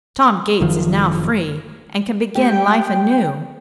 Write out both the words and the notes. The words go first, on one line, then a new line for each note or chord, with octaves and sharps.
"Tom Gates is now free, and can begin life anew."
F#1 F#2 D#3 F3
A3 G4 G5